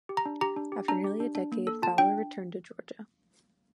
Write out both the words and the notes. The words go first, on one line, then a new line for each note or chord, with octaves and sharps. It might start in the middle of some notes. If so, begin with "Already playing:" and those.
After nearly a decade, Fowler returned to Georgia.
G4
A#5
D4
G4 A#5
D4
G4
D4 A#5
G4
D4
D4
A#3
A4
F4 A5
D4 G5